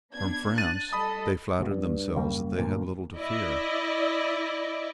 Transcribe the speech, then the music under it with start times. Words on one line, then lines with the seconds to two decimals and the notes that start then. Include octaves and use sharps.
From France they flattered themselves that they had little to fear.
0.13 B3 D4 G#6
0.58 F#6 A6 D#7
0.93 G3 A4 D#5 B5 D#6
1.59 D1 C#2 B2
1.71 G2
2.16 F#2 C#3 G3 A#3
2.58 D2 G2 A#2 A#3
3.18 E4 D5 D#5